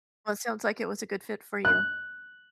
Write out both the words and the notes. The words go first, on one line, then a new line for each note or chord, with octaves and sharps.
Well, it sounds like it was a good fit for you.
F#6